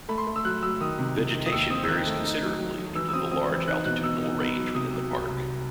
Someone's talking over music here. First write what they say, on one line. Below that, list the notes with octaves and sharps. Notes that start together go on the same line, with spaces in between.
Vegetation varies considerably due to the large altitudinal range within the park.
A3 B5
C6
A3
E6
F#3 F#6
F#3 E6
D#3 D#6
C3
C3
D#3
D#6
D#2 E6
C4 D#6
E6
D#3 F#6
A3
D#4
F#3
F#3
F#3
E3 E6
E6
C4 D#6
C4 D#6
E3
D#4 F#6
B2 F#6
B2 E6
D#4
B3
F#3
C3 D#6
F#3
C2
C2